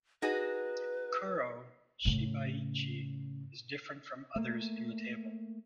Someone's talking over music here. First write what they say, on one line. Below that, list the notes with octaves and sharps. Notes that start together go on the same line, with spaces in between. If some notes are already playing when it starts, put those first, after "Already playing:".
Kuro-Shibuichi is different from others in the table.
D#4 F#4 G#4 B4
A2 C#3
A3 A#3